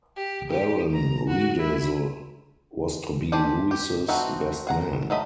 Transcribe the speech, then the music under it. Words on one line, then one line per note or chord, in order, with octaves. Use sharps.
Baron Riedesel was to be Louis's best man.
G4
G4
A#5
F#4
E4
G4 G#4 C5 A5
G4
A3 B3 C4 D#4 F#4
G#4 F#5 A#5
F#3 A3 D#5 B5